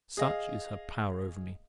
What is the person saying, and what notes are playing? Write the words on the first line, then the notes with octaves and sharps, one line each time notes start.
Such is her power over me!
G#4 D#5 F5